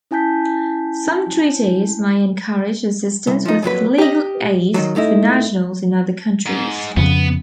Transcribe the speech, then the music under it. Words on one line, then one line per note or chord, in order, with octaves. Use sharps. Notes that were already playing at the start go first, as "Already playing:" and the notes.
Some treaties may encourage assistance with legal aid for nationals in other countries.
C#4 E4 G#5 A5 G6 B6
C2
F3 D#4
F2 A#2 F#3 B4
G4 D#5
D#3 F3 F#3
G#2 A3 D#4 E4
G#2
F2 C#3 B3